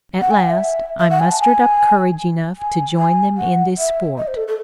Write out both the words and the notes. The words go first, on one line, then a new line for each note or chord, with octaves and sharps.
At last, I mustered up courage enough to join them in this sport.
F#5
G#5
F#5
E5
E5
F#5
G#5
A5
G#5
G#5
G#5
F#5
E5
D#5
C5
A4
A4